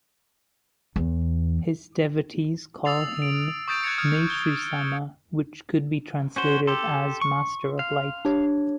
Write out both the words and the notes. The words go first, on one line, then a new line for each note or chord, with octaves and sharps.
His devotees called him "Meishu-sama", which could be translated as 'Master of Light.
E2
D#6 E6 A6 C7 F7
D7
C#6 D#6 G6 A6 D7
F#6 G#6 A6 C#7
D#6 F6 G#6
G7
C#4 F#4 C5
G4 A4 C6
C#6
F5
D4 G4 C#5